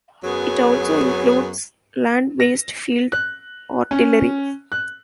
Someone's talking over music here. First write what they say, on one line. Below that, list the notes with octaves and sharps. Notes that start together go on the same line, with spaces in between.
It also includes land-based field artillery.
F#2 F#3 B3 G#4
A#6
F#6
C#4
F#6